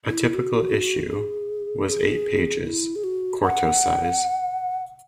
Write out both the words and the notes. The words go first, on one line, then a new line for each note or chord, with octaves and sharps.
A typical issue was eight pages, quarto size.
E4
F#4
G#4
G#4
E4
G#4
F#4
F#5